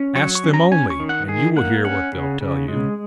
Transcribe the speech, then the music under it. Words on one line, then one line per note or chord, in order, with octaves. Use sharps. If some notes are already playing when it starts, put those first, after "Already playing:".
Ask them only and you will hear what they'll tell you.
Already playing: C#4
F#3 C#6
C#6
C#4
A#5
C#4 G#5
C#6
D#3
F#5
D#3 G#4
A#3 F#5
C#4 F#5
C#3
C#3
G#3